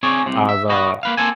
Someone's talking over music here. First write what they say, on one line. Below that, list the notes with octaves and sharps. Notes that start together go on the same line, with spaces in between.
I've, uh
C4 C#4 G#4 C#5 D5
C2 C3
E5
F#4 B4 D#5
A#3 B4 F5
A#3 C4 A4 G#5